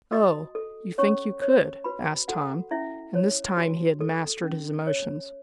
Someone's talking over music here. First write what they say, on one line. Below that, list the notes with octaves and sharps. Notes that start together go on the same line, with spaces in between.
"Oh, you think you could?" asked Tom, and this time he had mastered his emotions.
F#4 D#5 D#6
A4
C#4 C#5 C#6
C#5
F#4 B4 B5
F#4 A4 F#5
C#4 E4 E5
C#5
F#4
A4
C#4
C#5